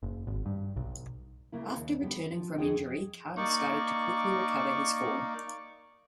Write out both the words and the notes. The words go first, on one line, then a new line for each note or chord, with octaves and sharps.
After returning from injury, Cana started to quickly recover his form.
F#1
G#1
G2
B1
C#3 A#3 E4
D#2
D3 G3 B3 G4
F3
F2 A3 C4 G#4 D#5 G5
A#3 D#4 D5 C#6